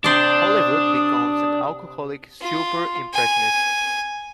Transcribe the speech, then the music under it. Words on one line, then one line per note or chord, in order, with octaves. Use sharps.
Hollywood becomes an alcoholic 'super-impressionist'.
C3 D4 C5 D5 D#6
F4
G#5